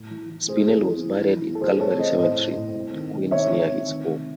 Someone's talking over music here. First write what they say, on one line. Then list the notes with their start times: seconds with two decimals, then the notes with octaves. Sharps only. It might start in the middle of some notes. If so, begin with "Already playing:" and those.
Spinell was buried in Calvary Cemetery, Queens near his home.
Already playing: A2
0.11 E3
0.30 E3
0.48 C3 G#4 C5
0.68 E3
0.86 E3
1.05 E3
1.23 E3
1.43 E3
1.55 A4
1.61 E3 G#4 C5
1.80 C3 A4 C#5
1.99 C3 C5 D#5
2.18 A2 C5 D#5
2.37 A2
2.56 A2
2.76 C3
2.93 D#3
3.13 C3
3.31 D#3 C#5 E5
3.51 C3
3.69 D#3
3.88 D#3
4.08 C3